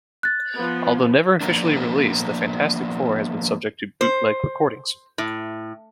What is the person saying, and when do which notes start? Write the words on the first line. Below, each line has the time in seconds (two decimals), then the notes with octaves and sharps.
Although never officially released, "The Fantastic Four" has been subject to bootleg recordings.
0.23 F#6 A6
0.55 F3 B3
1.41 F3 A#3 B3 D4
4.01 C5
5.18 A2